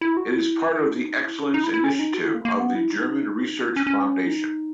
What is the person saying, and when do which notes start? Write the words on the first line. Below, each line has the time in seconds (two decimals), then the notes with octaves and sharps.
It is part of the Excellence Initiative of the German Research Foundation.
0.01 E4
0.17 F#4
0.32 E4
0.92 D#4
1.23 E4
1.39 D#4
1.54 D#4
1.64 E4
1.74 E4
1.84 C#4
1.99 D#4
2.14 F#4
2.25 E4
2.35 A#3
2.45 A#3
2.60 B3
2.75 E4
2.90 D#4
3.66 B3
3.76 C#4
3.87 C#4
4.27 D#4